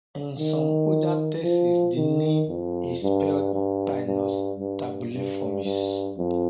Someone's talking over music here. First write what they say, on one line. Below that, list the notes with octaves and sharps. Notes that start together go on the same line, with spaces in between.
In some older texts the name is spelled "Pinus tabulaeformis".
D#3
F3
D#3
F2
G2
G2
G2
G2
G2
G2
F2